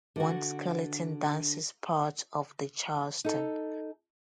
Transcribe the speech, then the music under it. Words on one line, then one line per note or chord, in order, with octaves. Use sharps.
One skeleton dances part of the Charleston.
D3 F#4
D#4 A4